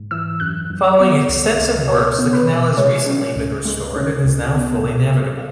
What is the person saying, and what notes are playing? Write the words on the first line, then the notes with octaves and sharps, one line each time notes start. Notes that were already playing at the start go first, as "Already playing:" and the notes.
Following extensive works the canal has recently been restored and is now fully navigable.
Already playing: G#2
E3 E6
F#2 F#6
F#2
B3 C#5
C#2
C#2
B2 C#5
B3
B4
B2
G#3 C#5
C#4
C#2
G#3
C#4
C#2
B3
B2
B2